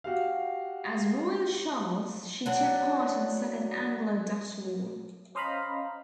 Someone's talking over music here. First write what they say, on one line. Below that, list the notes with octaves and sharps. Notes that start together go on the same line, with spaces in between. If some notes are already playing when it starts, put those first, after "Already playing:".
As "Royal Charles" she took part in the Second Anglo-Dutch War.
F#4 G4 F5
E3 F#3 D4
C#4 C5 D#5 F5 A#5 B5